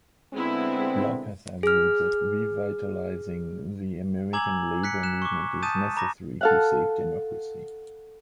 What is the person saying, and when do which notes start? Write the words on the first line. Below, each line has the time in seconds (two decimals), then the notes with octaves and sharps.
Block has argued that revitalizing the American labor movement is necessary to save democracy.
0.33 D3 G#3 B3 C4 E4
1.63 G#4 F6
4.33 G#5 A#5 D6 E6 G#6 F#7
4.84 F#6 B6 C#7
5.03 F#6 E7
5.22 C#6 D6
5.63 A5 D#6 G6 A6 D#7 E7
5.97 A#5 B5 D6 A#6
6.41 A4 F5 F#5